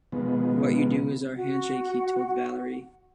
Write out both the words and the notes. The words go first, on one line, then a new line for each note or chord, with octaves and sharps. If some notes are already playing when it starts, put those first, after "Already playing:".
"What you do is our handshake," he told Valerie.
B2 D#3 F3 G#3 B3
F#4 F#5